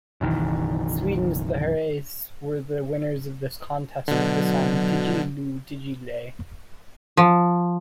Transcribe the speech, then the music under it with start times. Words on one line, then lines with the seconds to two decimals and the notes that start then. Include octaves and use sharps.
Sweden's the Herreys were the winners of this contest with the song, "Diggi-Loo Diggi-Ley".
0.21 F#1 B1 D#3 E3
4.08 B2 D3 F#3
7.17 F3